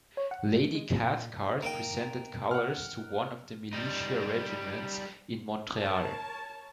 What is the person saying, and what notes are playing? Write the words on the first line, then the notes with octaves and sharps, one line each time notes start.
Lady Cathcart presented colours to one of the militia regiments in Montreal.
C#5
F#5
A3
G#3
A#2
A#3 D#4 G5
F#5 F6
G3 D#4
A#4 C#5 A5